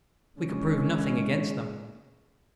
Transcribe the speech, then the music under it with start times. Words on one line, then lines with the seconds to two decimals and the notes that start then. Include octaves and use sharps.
We could prove nothing against them.
0.37 C#3 G#3 C#4